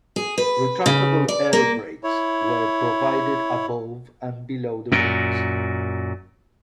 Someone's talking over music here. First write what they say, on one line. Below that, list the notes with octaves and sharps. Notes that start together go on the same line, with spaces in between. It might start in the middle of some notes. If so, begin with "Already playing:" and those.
Retractable airbrakes were provided above and below the wings.
G#4
B4
C#3
D5
A#3
E4 C#5
F#2 A#2